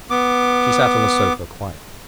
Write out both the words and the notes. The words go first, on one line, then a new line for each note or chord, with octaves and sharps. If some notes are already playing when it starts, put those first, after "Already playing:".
She sat on the sofa quietly.
B3 D6